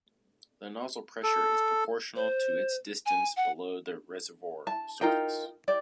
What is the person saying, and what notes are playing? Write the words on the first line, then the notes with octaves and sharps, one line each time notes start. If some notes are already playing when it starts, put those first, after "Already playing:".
The nozzle pressure is proportional to its distance below the reservoir surface.
A4
C5
G#5
F#5
A5
D#4 F4 A#4 G5
G4 D5